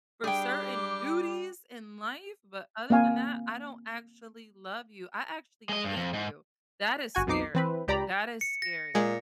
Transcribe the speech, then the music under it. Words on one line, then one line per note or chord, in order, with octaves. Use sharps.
for certain duties in life, but other than that, I don't actually love you, I actually hate you." That is scary. That is scary.
G3 D4 G4 G#4 G5 D6
A#3 C4 F5 G#5
G#3 D#5
G2
F2
G#2
G1 F#4 G#5
B1 F2 B2 D#4 D6 C7
E3 C4 B4
C#2 G4 D5 A#5 B5
C#7
A#6
A#2 G#3